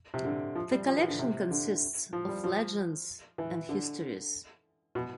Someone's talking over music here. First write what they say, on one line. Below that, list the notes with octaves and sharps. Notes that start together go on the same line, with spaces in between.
The collection consists of legends and histories.
C3
D3
F3
G3
F3
E3
D3
C3
D3
F3
G3
F3
E3
D3
B2